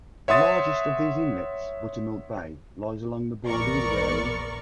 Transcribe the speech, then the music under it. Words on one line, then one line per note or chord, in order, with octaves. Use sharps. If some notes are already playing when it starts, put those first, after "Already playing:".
The largest of these inlets, Buttermilk Bay, lies along the border with Wareham.
C#5 E5 F#5 C6 D#6 A6
A#1 E2 B3 A#4 D5 C#6